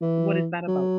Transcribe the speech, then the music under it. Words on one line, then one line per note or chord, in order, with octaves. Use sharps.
What is that about?
E3
F#3